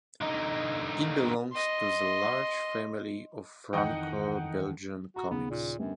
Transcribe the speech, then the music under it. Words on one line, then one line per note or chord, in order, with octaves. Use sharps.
It belongs to the large family of Franco-Belgian comics.
D3 D#4
D#5 C6
F2 D#3 E3 D#4 D#5 F#5 G5
F#4 A#5
D#2 C#3 B3
A#2
F#2 D3 G3 B3